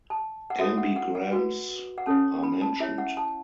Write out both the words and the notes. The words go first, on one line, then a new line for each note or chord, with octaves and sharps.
Ambigrams are mentioned.
A5
F#5
F#4 A4 C#5 E5
F#5
F#5
F#5
F#4 B4
F#5
C#4 A4 C#5 A5
B5
A5
E4 C#5 E5
F#5
A5